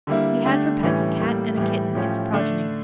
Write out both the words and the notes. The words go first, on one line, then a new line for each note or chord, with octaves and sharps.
He had for pets a Cat and a kitten, its progeny.
D3 G3 A#3 E4
D3 A3 D4 G4
A2 E3 G3 C#4
A2 G3 A#3
A2 E3 G3
A2 F3 C#4 G4
D3 A3 D4